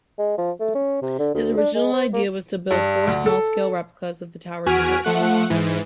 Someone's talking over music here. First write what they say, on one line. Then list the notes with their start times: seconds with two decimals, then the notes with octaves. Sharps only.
His original idea was to build four small-scale replicas of the towers in Tulsa.
0.19 G#3
0.38 F3
0.60 A3
0.75 C#4
1.02 C3
1.19 D3
1.35 D2
1.58 D4
1.75 G#3
1.94 C5
2.14 A#3
2.71 G2
3.07 D2
3.26 A4
4.66 E2 F#4 G#5 F6 B6 D7
5.04 F3 A3 F#5
5.50 G#2 E3